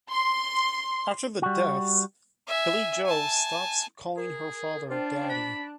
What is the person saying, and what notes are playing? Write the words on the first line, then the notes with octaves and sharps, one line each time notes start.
After the deaths, Billie Jo stops calling her father Daddy.
C6
G3 F#4
E5 G#5
G#5 A5
G#4 A#4
D4 F4 C5 G5
B5 F#6